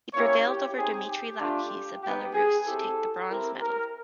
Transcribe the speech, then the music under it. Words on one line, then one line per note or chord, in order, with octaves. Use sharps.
He prevailed over Dmitry Lapkes of Belarus to take the bronze medal.
A#3 C#4 E4 G4 C#5
G4
C4 D#4 G4 G#4
G4
A3 D4 F4
B3 D#4 G4
G#4
C4 E4 G4 A4
C4 E4 G4 A#4
A#4